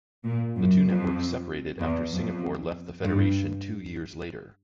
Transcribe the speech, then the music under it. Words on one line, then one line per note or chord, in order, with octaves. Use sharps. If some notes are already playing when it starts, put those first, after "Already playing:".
The two networks separated after Singapore left the federation two years later.
A#2
F#2
F2
E2
F2
G2